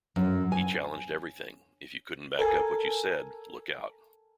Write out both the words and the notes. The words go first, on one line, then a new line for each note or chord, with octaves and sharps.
He challenged everything, If you couldn't back up what you said, look out.
F#2
G#5
A4 A#4 G#5